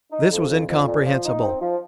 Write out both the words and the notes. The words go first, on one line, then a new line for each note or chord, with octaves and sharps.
This was incomprehensible.
D#4
F2
F2
F2
A#2
F3
D#4
C4
F3